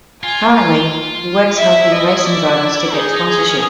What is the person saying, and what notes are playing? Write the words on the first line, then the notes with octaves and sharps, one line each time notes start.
Currently, he works helping racing drivers to get sponsorship.
F4 G#5
E4 E5
D#5
D5
D#4 G#4
D#4
G#4
C#4